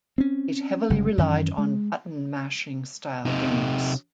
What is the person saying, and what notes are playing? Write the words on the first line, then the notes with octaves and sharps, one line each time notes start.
It heavily relied on button mashing style games.
C4 C#4
G1 C#3 G3
F#2 D#3 E3 C#4
G#3
C3 D#4